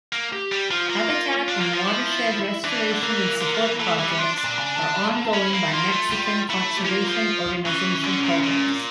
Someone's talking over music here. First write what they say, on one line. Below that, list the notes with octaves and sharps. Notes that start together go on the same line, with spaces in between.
Habitat and watershed restoration and support projects are ongoing by Mexican conservation organization programs.
A#3
G4
G3
F3 F4
A#3
F4
D4
A#3
F3
E4
E3 D4
D3
E3 A#3
D3
F3
E3
E3 A3
E3 G3
C#4
F3 D4
D4
A#2
C#3
D3
E3
G3
F3
A#3
D4
C#4 E4
A#3
A3
A#3 F4
A3
G3
A3 E4
G4
C#4
A#3 F4
F3
E3 C#4
D3
A#2
A#2